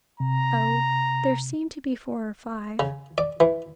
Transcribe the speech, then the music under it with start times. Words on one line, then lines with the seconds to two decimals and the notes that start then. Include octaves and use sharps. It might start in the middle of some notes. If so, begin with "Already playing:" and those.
Oh--there seem to be four or five.
0.20 C3 A#5
2.79 C#3
3.18 D5
3.40 E3